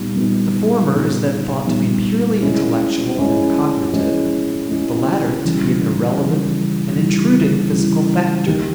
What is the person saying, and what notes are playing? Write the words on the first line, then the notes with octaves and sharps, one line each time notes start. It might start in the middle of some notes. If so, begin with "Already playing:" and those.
The former is then thought to be purely intellectual and cognitive; the latter to be an irrelevant and intruding physical factor.
Already playing: A#2 G3 B3 D#4
A#2 G3 B3 D#4
A#2 G3 B3 D#4
A#2 G3 B3 D#4
G#3 C#4 E4
G#3 C#4 E4
G#3 C#4 E4
G#3 C#4 E4
C#3 E3 G3
C#3 E3 G3
C#3 E3 G3
C#3 E3 G3
D#3 A#3 D#4 G4